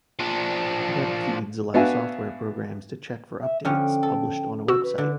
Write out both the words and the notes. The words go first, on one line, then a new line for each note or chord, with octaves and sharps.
Web feeds allow software programs to check for updates published on a website.
F3 D4
B3 D4 F#4 E5 F5 G#5
E5
D3 F3 C#4 G5
A4
F#4 E6
B4
D3